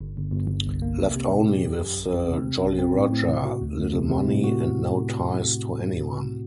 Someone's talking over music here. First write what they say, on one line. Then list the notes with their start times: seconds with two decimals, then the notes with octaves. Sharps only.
Left only with the Jolly Roger, little money, and no ties to anyone.
0.01 G1
0.17 G1
0.32 G1
0.49 G1
0.66 C2
0.82 A#3
0.98 C3
1.16 C3
1.32 A#2
1.48 G4
1.64 F#2
1.80 F#2
1.97 A1
2.14 C4
2.29 C3
2.46 C3
2.63 A#1
2.79 C4
2.96 A2
3.11 A2
3.28 C3
3.45 F#4
3.61 D2
3.78 D2
3.94 C3
4.10 C3
4.28 A2
4.44 F#4